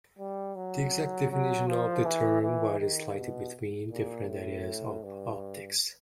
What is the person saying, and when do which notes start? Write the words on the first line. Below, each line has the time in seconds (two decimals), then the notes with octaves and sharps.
The exact definition of the term varies slightly between different areas of optics.
0.19 G3
0.56 F#3
1.31 F#3
1.68 F3
2.05 E3
2.42 E3
2.79 D#3
3.17 B2
3.91 A#2
4.29 A2
5.03 G2